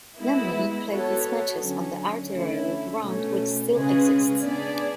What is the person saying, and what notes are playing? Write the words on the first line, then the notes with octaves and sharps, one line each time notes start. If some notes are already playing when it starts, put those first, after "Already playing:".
London played its matches on the Artillery Ground, which still exists.
G#3 B3 E4
B3 F#4 A4 C#5
D3 F#3 C#4
D3 A3 C#4 E4
B2 A3 C#4
C#3 G#3 C#4 G#4 B4
B3 D4 G#4 D5